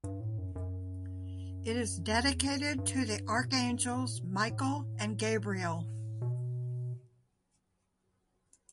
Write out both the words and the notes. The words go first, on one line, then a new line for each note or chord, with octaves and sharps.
It is dedicated to the archangels Michael and Gabriel.
G2
A2
F#2
F#2
E2
G2
G2
B2
A2
G2
A2
B2
A2
B2